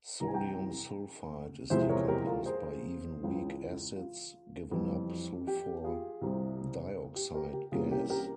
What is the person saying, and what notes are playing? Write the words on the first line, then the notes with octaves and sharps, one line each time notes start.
Sodium sulfite is decomposed by even weak acids, giving up sulfur dioxide gas.
C2 C3 E3 A#5
G#5
G5 A#5
E2 C3 F3 G#3 E4 C5 E5
A#4 C#5
G4 A#4
F4
G#4 C5
C#2 C#3 E3 G#3
F4
F2 E3 G3
G4
F4 G#4
C2 C3 G3 C4
G4
G4 A#4
G4
C2 C3 E3 A#3 C#4 F4 G#4
G4 A#4
G4 A#4